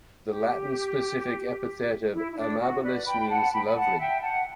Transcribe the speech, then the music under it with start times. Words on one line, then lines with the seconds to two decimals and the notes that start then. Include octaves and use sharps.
The Latin specific epithet of "amabilis" means lovely.
0.29 G4
2.14 E4
2.32 E4
2.38 D4
2.60 F#4
2.83 B4 D5
3.06 G5 B5
3.20 B5
3.29 F#5 A5
3.52 G5 B5
3.66 B5
3.75 F#5 A5
3.98 E5 G5
4.21 F#5 A5